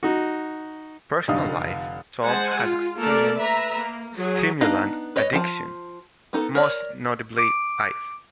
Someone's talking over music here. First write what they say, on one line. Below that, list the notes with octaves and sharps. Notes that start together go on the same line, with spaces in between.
Personal Life: Tom has experienced stimulant addiction, most notably 'Ice'.
D#4 F#4
F1 D3 D#4 F5 D#6
G#3 C5 F#5 G#5 A5
F4
A3 A#3 A4 A#4 D5
B4 E5 A#5
A#3
F#3 G#4
B3 D4 D#4 D#5 F5
B4 C#5 D#5
F3 A5
B3 D#4 A4
A#4 C#5 D5
D6 D7